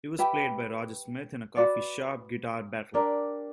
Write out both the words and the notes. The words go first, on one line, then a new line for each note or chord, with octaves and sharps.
It was played by Roger Smith in a coffee shop guitar battle.
G4 B4 E5 G5
F#4 B4 D5
D4 G4 A#4 D5